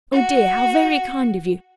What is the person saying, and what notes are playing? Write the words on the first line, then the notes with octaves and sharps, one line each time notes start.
Oh dear, how very kind of you!
F#4